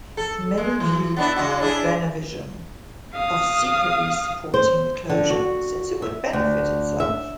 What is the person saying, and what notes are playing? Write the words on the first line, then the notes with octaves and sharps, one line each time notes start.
Many viewed Venevision of secretly supporting the closure since it would benefit itself.
A4
G#3
E3
B3 D4 E4
C#3 G#3 F#4
D4 E4 G#4
F5 D#6
C5
D3
F#4
E5
D2
E5